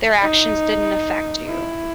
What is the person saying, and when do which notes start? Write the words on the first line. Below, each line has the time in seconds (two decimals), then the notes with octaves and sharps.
their actions didn't affect you.
0.21 D#4
1.47 E4